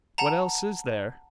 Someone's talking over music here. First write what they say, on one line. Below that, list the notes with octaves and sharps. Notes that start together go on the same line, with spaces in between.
"What else is there?"
F#5 A5 A#5